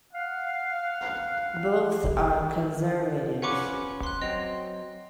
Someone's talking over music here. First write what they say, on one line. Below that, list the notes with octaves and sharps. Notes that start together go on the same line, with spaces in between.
Both are Conservatives.
F5 F#5
C#4 F4 B4 F#5 C#6 D6
C6 F#6
F#3 C4 D#5 F7